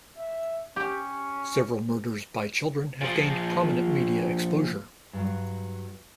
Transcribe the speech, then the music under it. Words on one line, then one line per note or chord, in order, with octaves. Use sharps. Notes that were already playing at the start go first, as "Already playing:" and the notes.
Several murders by children have gained prominent media exposure.
E5
C#4 G4
A#2 F3
G2 F#3